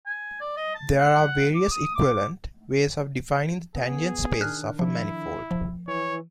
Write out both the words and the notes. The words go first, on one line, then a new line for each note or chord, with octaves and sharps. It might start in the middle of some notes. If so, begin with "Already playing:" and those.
There are various equivalent ways of defining the tangent spaces of a manifold.
G#5
D5
D#5
A5
F#5
D6
D#6
D6
B3 G#4
D#3 D4 F6 F#6
F3 E4
F3
E3 C#5